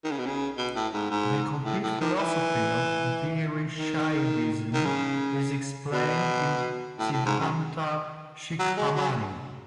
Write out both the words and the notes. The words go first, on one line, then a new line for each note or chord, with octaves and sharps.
The complete philosophy of Veerashaivism is explained in Siddhanta Shikhamani.
D#3
C#3
B2
C#3
B2
A2
G#2
G#2
A2
A2
D#3
E3
D#3
D#3
C#3
B2
A2
A2
G#2
F#2
F#3
G#3
F#3